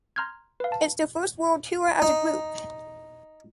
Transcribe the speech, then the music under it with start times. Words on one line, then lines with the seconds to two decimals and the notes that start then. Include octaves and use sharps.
It’s their first world tour as a group.
0.16 A#5 C6 F6 G6 G#6
0.60 B4 F5
0.72 A5
2.02 D#4